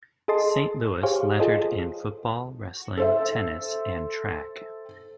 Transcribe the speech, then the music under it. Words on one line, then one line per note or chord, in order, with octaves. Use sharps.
St.Louis lettered in football, wrestling, tennis, and track.
G#4 A4 D#5 A5 C6
G4 G#4 C5 C#5 F5
F4 G#4 A4 C5 D#5
A4 C5 E5